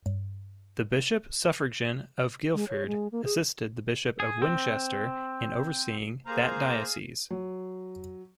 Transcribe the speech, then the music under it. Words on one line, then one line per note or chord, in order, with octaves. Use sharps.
The Bishop suffragan of Guildford assisted the Bishop of Winchester in overseeing that diocese.
G2
G#3
C#5
G#3
A#3
G#4
G#4
C4
A#3 G#4 C5 F5 A#5
F#3